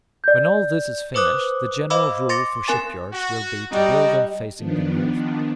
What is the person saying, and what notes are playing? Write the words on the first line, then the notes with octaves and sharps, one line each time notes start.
When all this is finished, the general rule for shipyards will be to build them facing the north.
D5 G6
B4 C5 D6 D#6 F#6
C5 D#5 F5 B5 D6 E6
C6 D6 A6 A#6 C#7
C4 A#4 G#5 C6 A6
F#4
G3 D#4 F#4 D#5
D#3 F3 B3 D4